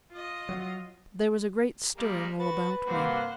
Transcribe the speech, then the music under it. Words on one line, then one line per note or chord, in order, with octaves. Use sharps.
There was a great stirring all about me.
F4 D#5
F#3
G3 G#3 A#3
F#4 B4 A6
G2 C3 A#3 F#4 C5 F#5